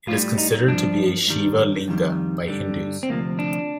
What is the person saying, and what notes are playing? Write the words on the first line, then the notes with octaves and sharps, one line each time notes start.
It is considered to be a Shiva Linga by Hindus.
A2 G3 F4
D#4
G2 F3 D4
G2 D#3 G3
F2 D#3 G3
G2 D3 G3
C4
D2 C3 F3 A#3
D4